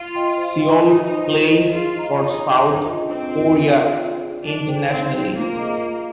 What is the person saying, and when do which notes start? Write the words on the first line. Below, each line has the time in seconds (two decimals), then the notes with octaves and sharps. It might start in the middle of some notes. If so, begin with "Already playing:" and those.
Seol plays for South Korea internationally.
Already playing: F4
0.15 D#5 G5 C6
0.38 C5
0.60 D#5 G5 C6
0.83 D#4 F4
1.05 C5 D#5
1.28 F4
1.51 C5 D#5
1.73 F4 G#4
1.95 D#5 A#5
2.18 D#4 G#4
2.40 D#5 A#5
2.63 D4
2.86 F4 G#4 D#5
3.08 C4 D4
3.30 F4 G#4 D#5
3.53 F4
3.76 G#4 D5
3.98 F4
4.21 G#4 D5
4.43 D4 D#4
4.66 G#4 C5 G5
4.89 C4 D#4
5.11 G#4 C5 G5
5.34 A#3 F4
5.56 G#4 D#5 A#5 D6
5.79 F4